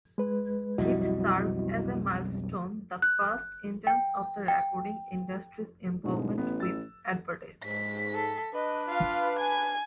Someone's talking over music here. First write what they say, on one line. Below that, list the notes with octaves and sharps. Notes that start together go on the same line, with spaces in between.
It served as a milestone-the first instance of the recording industry's involvement with advertising.
G#3 B4
B1 F2 G3 E4 F#4 D#5
F#6
G5
G5
D1 G#2 B2 G#3
A1 B3
E6 A6
G#2 B6
A4
D4 B4 D#5
F4 F5
G#5 G#6